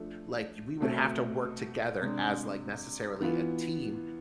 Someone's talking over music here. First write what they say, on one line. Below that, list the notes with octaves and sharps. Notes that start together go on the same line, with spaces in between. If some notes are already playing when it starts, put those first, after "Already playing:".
like, we would have to work together as, like, necessarily a team
Already playing: F3 A3 D4
B2 A3 C4
C3 G#3 D4
E3 B3 F4